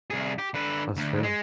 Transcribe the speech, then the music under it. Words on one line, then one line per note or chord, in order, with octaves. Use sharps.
That's true.
C2 G#4
G4
D3 B4
D2
G#3